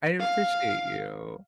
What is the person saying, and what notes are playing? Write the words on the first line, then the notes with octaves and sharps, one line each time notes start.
I appreciate you.
F5